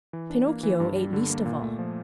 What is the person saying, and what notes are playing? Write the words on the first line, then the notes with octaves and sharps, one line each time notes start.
Pinocchio ate least of all.
E3
D4
A#3
E3
G2
G3
D3
A#3
A#2
A3
F3